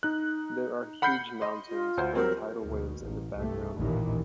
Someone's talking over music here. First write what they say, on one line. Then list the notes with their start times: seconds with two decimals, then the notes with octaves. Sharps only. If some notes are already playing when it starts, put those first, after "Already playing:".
There are huge mountains or tidal waves in the background.
0.03 D#4 F#6
1.02 F#5 B5 F6 G6 C7 C#7
1.41 D#5 C6
1.69 F4
1.97 D2 C5
2.15 F#3 G3 C4 A#4
2.64 D2 B2
3.01 A1
3.33 C2 G2 A3
3.76 A1 D#2 A#2 D#3 E3